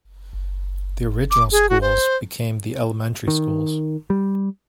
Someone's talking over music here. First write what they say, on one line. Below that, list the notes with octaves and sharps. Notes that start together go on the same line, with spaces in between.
The original schools became the elementary schools.
D6
G#4
F#4
C5
D#3
G3